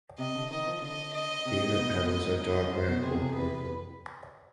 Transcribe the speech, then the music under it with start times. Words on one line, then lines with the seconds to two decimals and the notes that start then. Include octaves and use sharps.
The inner petals are dark red or purple.
0.18 C3 D#5
0.35 D3
0.51 D#3 D#5
0.67 F3
0.82 D3 D#5
1.14 D#5
1.45 C3
1.70 G#2
1.77 B2
1.93 C3
2.01 B2
2.08 G#2 D#5
2.25 G#2
2.40 G2 D#5
2.64 G2
2.73 G#2 C5
2.88 B2
3.03 C3 G#4
3.12 B2
3.19 C3
3.35 B4